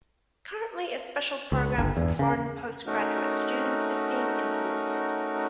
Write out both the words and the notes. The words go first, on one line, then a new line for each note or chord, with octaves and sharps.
Currently a special program for foreign postgraduate students is being implemented.
C#2
G1
E2
C#3
A3 C#4 D#4 F#4 A#4